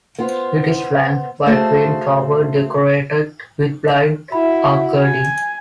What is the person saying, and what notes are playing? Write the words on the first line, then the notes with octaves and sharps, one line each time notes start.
It is flanked by twin towers decorated with blind arcading.
B3 F4 C5
A3 F#4 G#4 C5 F5 A5
E4 F#4 B5
G#5